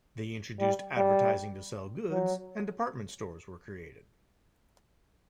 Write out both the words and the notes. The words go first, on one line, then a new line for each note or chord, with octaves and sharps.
They introduced advertising to sell goods and department stores were created.
G3
G3
F#3